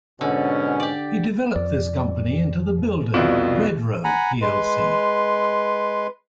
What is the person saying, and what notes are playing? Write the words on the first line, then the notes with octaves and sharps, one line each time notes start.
He developed this company into the builder Redrow plc.
G#2 B2 D3 C#4
G4 D5
F2 D5
C2 F2 B2 F4 D5 F5
F#5 G#5 A#5 B5
G#3 B4 C6